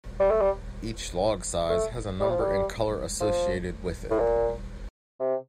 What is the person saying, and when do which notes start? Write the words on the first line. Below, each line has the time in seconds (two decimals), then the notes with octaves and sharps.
Each log size has a number and color associated with it.
0.20 G3
0.30 A3
0.41 G3
1.69 A3
2.20 G3
2.30 F3
2.41 G3
3.20 F3
4.10 A2
4.19 A#2
5.19 C3